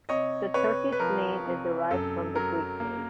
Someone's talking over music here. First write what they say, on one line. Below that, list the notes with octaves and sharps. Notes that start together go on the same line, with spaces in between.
The Turkish name is derived from the Greek name.
C3 C#5 D#5
C3 B4 C#5
B4
F3 A#4
C3
F#2 A4
F#3 A#4
A#3